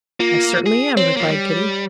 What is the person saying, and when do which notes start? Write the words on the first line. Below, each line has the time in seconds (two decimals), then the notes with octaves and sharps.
"I certainly am," replied Kitty.
0.20 A#3 F4
0.66 G#4
0.97 C4 C#5
1.17 F3 A#3
1.30 G3